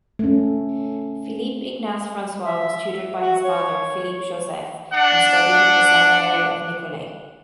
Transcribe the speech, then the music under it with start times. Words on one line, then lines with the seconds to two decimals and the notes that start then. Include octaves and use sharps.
Philippe-Ignace-Francois was tutored by his father Philippe-Joseph and studied at the seminary of Nicolet.
0.19 A3 C#4
2.44 E5
3.20 F#4
3.44 C#5
4.92 D4 F#5